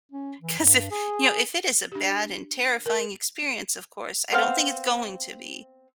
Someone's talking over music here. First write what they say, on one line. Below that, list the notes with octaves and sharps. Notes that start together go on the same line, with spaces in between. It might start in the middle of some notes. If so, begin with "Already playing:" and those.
'cause if, you know, if it is a bad and terrifying experience, of course, I don't think it's going to be,
C#4
E3
G2
G#4
D4 G4
A#4
B3 C4 F5 F#5